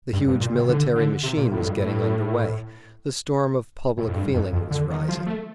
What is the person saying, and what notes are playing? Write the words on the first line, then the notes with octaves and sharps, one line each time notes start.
The huge military machine was getting under way, the storm of public feeling was rising.
G2
G2
A#2
C3
D3
D3
C3
A#2
A2
F2
G2
A2
A2
F2
G2
F2
F2
D3
D#3
F3
A3